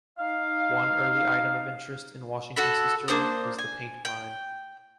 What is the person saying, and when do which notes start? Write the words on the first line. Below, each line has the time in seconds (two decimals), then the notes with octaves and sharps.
One early item of interest in Washington's history was the "paint mine".
0.18 D#4 F5
2.56 F#4 A4 B5
3.08 A#3 D4 C5 D#6
3.58 G#5
4.05 G5